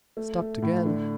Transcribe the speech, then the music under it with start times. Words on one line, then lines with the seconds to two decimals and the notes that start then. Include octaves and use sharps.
Stopped again.
0.17 A3
0.40 A3
0.62 A2
0.85 D3